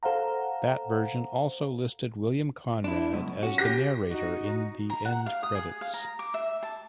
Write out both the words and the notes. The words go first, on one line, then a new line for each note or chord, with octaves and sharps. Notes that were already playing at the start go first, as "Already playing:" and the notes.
That version also listed William Conrad as the narrator in the end credits.
A4 C5 F5 F#5 A#5
D4 E4
C#2 F#2 B2
C#4 F#4
G4 A#6
D#4 F#4
A#5
F#5
F5
D#6
G#4
F5
A#5
D6
E5
A5